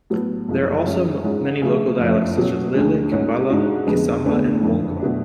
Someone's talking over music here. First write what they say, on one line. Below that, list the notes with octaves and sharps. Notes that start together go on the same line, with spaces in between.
There are also many local dialects such as Lele, Kimbala, Kisamba, and Wongo.
A2 F#3 B3
F#1 F#2 F3 G#3
F#2 F3 G#3 C#4 F4
G#2 G#3 C#4
C#3 F3 A3 F4 G#4
F#1 F2 F3 A3 C#4
B2 F#3 C#4
D2 D3 F3 G#3
G#2 G#3 C#4
G#2 G#3 D4 F#4
F1 F2 D3 G#3 B3
D2 D3 G#3 B3
F#1 F2 D3
B2 F#3 A3 D4